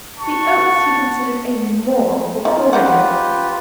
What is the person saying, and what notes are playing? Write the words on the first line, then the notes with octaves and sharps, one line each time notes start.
The Oaks he considered 'a moral' for Clorinda.
F#4 A5 C#6
D#4 F4
C#4 F4 G4 B4 C5 F#5